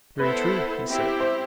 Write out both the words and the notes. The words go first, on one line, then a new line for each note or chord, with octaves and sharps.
Very true, he said.
B3 E4 A4 B4 C5
C4 E4 G4
C5